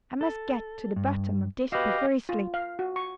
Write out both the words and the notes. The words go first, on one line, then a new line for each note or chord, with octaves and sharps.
'I must get to the bottom of this before I sleep!
A4
G2
F#4 G4 B4 D#5 F5
F4
F5
F#4
C#6